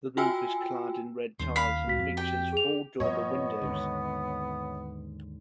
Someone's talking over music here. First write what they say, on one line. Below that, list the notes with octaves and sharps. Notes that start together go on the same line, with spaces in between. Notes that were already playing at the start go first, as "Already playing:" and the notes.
The roof is clad in red tiles and features four dormer windows.
F4 F#4 G5 G#5 E6
D#2 G3 C5
F5 B5 B6 C7
C#2 A#2 F#4 B6
F2
G4 G5
G#4 F7
G2 A#2 F3 B3 C#5 D#5
D#2 G#2 D3